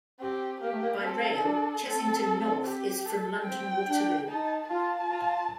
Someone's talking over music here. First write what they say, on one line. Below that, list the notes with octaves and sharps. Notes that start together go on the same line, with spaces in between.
By rail, Chessington North is from London Waterloo.
C4 G4
A#3 G4
A3
A#3
A#3
C4 A4
D4
C4 A4
G4
A4
C4 G5
D4
D#4 A5
F4 A5
F4